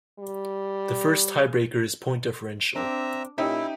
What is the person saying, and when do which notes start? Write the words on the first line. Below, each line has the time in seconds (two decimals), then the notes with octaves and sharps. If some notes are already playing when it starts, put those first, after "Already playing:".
The first tiebreaker is point differential.
0.19 G3
2.76 C4 D4 E5 A#5
3.38 A#2 C#4 D#4 E4 G4 E5